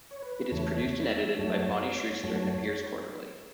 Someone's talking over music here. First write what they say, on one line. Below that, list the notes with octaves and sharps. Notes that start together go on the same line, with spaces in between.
It is produced and edited by Bonnie Schuster and appears quarterly.
C#5
B4
E2 C#3 E3 A3 C#5
C#5
E5
F#2 F#3 A3 C#5
F#2 F#3 A3